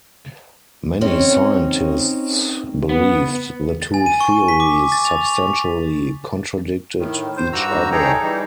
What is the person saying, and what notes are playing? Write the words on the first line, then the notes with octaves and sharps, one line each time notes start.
Many scientists believed the two theories substantially contradicted each other.
C4 C#4 D#4 C#5
B3
A6
G#5
D#7
C#6
B6
D6
A6
F7
C#6
A2 D#3
C5
G2 F#4 A#5 E6
D#4 G#4 A4 C#5 G5 A#5
E3 G3 D#4